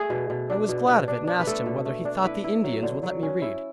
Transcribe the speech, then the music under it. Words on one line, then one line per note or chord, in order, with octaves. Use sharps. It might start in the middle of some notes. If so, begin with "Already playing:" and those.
I was glad of it, and asked him, whether he thought the Indians would let me read?
Already playing: A3 G#4
B2
B2
D4
B2
B2
D4
D4
B4
A3 A4
B2
A3
D4
E4 B4
E4
F#3
D3
F#3
C#4
E4